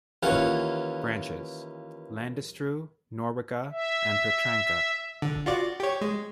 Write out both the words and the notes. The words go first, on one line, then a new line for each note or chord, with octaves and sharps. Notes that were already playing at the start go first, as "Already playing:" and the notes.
Branches: Landestreu, Nowica, and Petranka.
D#2 E3 C#4 F4 F#5
E5
D3
F4 F#4 D5
G4 C#5
G#3